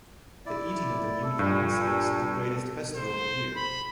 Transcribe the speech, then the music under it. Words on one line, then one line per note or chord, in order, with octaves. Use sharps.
The eating of the new yams is the greatest festival of the year.
E4 D5
A4
G2 A#2
C5
B5